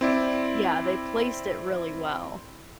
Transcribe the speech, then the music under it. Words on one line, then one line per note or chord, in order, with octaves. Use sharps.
Yeah, they placed it really well.
C4 E4 D5